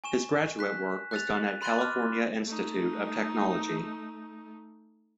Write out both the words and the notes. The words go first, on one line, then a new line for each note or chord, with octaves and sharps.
His graduate work was done at California Institute of Technology.
G#5 C#6 E7
F#6 B6
F#6 A6 F7
B5 C6 F#6 A6 D#7 G7
D6 F6
A3 D#4